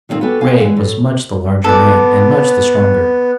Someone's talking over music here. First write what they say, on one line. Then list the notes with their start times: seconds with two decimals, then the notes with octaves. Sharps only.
Grey was much the larger man and much the stronger.
0.09 D#3 G3 A#3 C4 F4
0.21 B3 F#4 G4 A4 G#5
0.41 F5 G#5
0.59 E2 E3 G#3 F#5 G#5
0.77 A2
1.64 B3 A4 D5